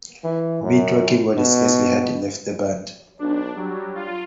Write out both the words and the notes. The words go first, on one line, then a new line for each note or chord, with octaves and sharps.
Mid-tour, keyboardist Leslie Hardy left the band.
E3
F#2
B2
B1 D4
F#3 G3
F4